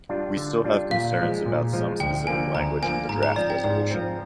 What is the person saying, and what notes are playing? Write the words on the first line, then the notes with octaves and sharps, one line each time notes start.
We still have concerns about some specific language in the draft resolution.
G3 D4 F4
D3
G3 D4 F4
A#2 F5
F3 G#3
A#2
F3 G#3
D2 G5
D3 F3 A#3 G#5
D2 A#5
D3 F3 A#3 G#5
G#2 A#5
A#5
F3 C4 D5
G5
G#2 D5
F3 C4